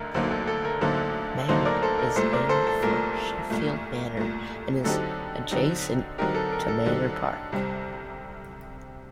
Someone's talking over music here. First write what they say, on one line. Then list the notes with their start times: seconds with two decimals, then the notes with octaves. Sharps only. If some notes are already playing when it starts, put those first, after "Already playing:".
Manor is named for Sheffield Manor and is adjacent to Manor Park.
Already playing: D2 D3 D#4 A#4
0.14 D2 D3 F#3 A#3 D#4 A4 C5
0.31 A4
0.47 A4
0.65 A#4
0.81 D2 D3 F#3 A#3 D#4 A4 C5
1.49 D2 D3 F#3 A#3 D#4 A4 C5
1.65 A#4 D5
1.82 A4 C5
1.99 A#4
2.16 C2 A#2 A3 A4 C5
2.33 A#4 D5
2.49 A4 C5
2.67 A4
2.82 C2 A#2 A3 A#4
3.50 C2 A#2 A3
4.17 C2 A#2 A3
4.84 D3 F#3 C4 D#4 G4 A4
5.51 D3 F#3 C4 D#4 G4
6.18 D3 F#3 C4 D#4 G4 A#4
6.35 A4
6.52 A#4
6.68 A4
6.86 D3 F#3 C4 D#4 G4
7.52 C2 C3 G3 C4